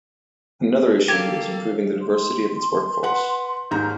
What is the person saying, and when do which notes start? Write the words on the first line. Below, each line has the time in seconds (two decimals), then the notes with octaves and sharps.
Another issue was improving the diversity of its workforce.
1.08 A#3 G4 A4 F5 G#6
2.02 C6
3.03 B4 F#5
3.71 D#2 G#2 C#4 A#5 F6 G6